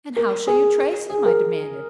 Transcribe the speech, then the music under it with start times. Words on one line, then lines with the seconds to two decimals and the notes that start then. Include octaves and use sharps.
"And how shall you trace him?" I demanded.
0.16 A#4
0.47 G#4
1.10 G#4
1.26 A#4